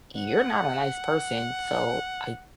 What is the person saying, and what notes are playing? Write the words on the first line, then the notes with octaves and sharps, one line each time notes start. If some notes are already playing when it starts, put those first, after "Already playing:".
you're not a nice person, so I
F#5